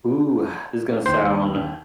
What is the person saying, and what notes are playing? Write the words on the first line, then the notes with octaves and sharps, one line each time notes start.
Ooh, ah, this is gonna sound
D#2 C5